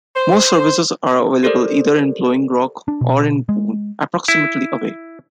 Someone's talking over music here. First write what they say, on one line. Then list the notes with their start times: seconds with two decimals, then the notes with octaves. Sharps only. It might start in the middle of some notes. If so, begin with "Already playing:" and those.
Most services are available either in Blowing Rock or in Boone, approximately away.
0.15 C5
1.43 G4 A4 A#4 C5 D5
2.88 D4
3.01 B2
3.49 G#3
4.28 E4